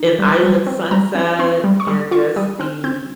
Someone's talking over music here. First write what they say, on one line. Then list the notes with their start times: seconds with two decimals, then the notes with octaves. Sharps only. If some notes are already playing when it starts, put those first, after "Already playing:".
an island sunset and just the
Already playing: D#4
0.19 G3
0.43 G3
0.67 C4
0.91 G3 A#5
1.15 C4
1.39 C4 C6
1.64 G3
1.80 C#6
1.87 G3 D#6
2.11 F4 C#6
2.36 G3 D#6
2.59 C4 F6
2.84 C4 G6